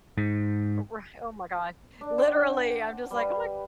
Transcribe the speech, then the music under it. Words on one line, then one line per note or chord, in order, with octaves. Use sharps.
Oh righ oh my god, literally! I'm just like, "Oh my
G#2
D4
C5 F#5 G5
G3 B4